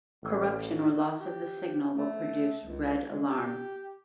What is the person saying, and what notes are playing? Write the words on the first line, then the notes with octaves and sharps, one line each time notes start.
Corruption or loss of the signal will produce "red alarm".
A1
G4
A3
C#2
G#3
G4